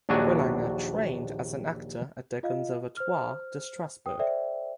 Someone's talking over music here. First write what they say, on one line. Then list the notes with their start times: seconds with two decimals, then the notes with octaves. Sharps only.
Boulanger trained as an actor at the Conservatoire de Strasbourg.
0.09 A#1 D#2 F#3 D4 F#4 G#5
2.43 F4 D#5 F5
2.97 C5 F6
4.06 G5 D#6
4.19 A4 C5 D5 E5 G5